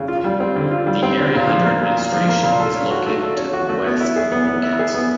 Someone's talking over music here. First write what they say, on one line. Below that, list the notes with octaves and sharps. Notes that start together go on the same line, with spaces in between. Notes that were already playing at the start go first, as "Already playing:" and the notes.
The area under administration is located to the west of Newcastle.
Already playing: C#3
F4
G3
C4
D3
F4
G3
C4
D3
A#2
F3
A#3
A#2
A#2
F3
A#3
A#2
A4
C#4
F#4
A3
A4
C#4
F#4
A3
B3
E4
G#4
B3
B3
E4
G#4
B3